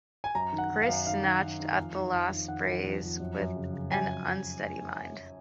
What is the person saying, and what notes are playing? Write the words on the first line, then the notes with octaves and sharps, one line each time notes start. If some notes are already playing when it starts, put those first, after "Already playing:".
Chris snatched at the last phrase with an unsteady mind.
G#5
F#2 A#5
D#3
F#5
D#3
F5
F#2
D#3 F5
D#3
D#3
D#3
F2
D#3
F2
D#3
D#3 F#5
F2
F2
F2
F#2
F#2
C#3
C#3
F#2 G#5